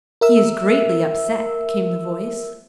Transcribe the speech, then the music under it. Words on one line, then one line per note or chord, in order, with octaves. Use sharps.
"He's greatly upset," came the voice.
A#4 E5 E6